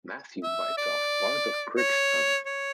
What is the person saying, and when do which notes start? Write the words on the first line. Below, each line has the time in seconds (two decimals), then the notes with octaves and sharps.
Matthew bites off part of Crick's tongue.
0.43 E5
0.77 D5
1.77 C#5
2.46 C#5